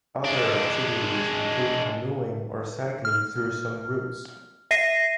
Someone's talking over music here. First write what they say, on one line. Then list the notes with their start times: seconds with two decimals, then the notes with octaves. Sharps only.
Other activities include canoeing or cycling through some routes.
0.24 G#3 D4
3.05 F6
4.71 E5 A#6 C7 D#7